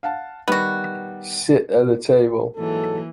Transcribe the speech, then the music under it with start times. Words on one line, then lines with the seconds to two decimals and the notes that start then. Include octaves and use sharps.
Sit at the table.
0.03 F5 F#5 A5
0.48 D#3 G3 B3 F#4
2.56 G#2 E3 F#3 A#3 A4